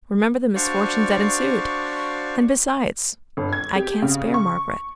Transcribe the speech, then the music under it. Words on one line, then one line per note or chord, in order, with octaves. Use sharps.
Remember the misfortunes that ensued; and besides, I can't spare Margaret.'
D4 F#4 C5 D5 F5 C#6
G1
G#6
G4
C#3
C#6